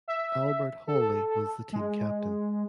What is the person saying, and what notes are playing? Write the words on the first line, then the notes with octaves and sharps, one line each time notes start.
Albert Hawley was the team captain.
E5
A4
G#3